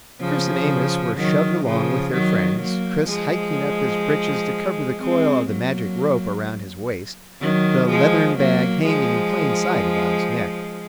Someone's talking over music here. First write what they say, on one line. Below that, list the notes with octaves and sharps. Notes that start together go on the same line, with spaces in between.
Chris and Amos were shoved along with their friends, Chris hiking up his breeches to cover the coil of the magic rope around his waist; the leathern bag hanging in plain sight about his neck.
C#3 F3
D#3 F#3
C#3 F3
D#3 F#3
F#3 A#3
F3 G#3
G#3 C4
F#3 A#3
D#3 F#3
F3 G#3
F#3 A#3
F3 G#3